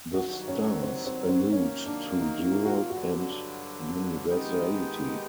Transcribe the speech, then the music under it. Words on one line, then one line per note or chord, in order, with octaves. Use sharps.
The stars allude to Europe and universality.
G2 D#3 F#3 F#4
C#4
C4
C4
C4
C3 D#3 F#3 A#3 C#4
D4
D#4
E4
E4
F#4
F4
G2 D3 F#3 F#4
D#3 G#3 B3 D#4 G4